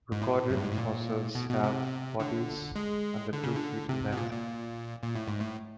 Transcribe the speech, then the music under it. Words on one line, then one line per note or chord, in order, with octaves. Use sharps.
Recorded fossils have bodies under two feet in length.
G#2
A2
F#2
G2
G#2
A2
A#2
B2
B2
C3
D3
G#3
D3
C#3
D3
C3
B2
A#2
A#2
A#2
A2
G#2
A2